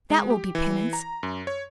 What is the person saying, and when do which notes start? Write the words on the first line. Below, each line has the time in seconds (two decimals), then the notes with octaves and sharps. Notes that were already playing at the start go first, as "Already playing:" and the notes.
THAT will be penance.
0.10 G#3
0.30 G4
0.55 E3
0.93 A#5
1.23 F#2
1.47 C#5